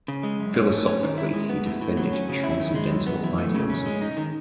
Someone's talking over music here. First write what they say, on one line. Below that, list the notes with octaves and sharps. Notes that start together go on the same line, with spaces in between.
Philosophically he defended transcendental idealism.
C#3
G#3
F#2
C#4
A3
C#4
D#3
E4
G#3
B3
A2
A2
F#3
C#4
C#3
E4
D#3
G#3
F#2
B3
E3
A3
C#3
C#4
G#3
D#4
D#3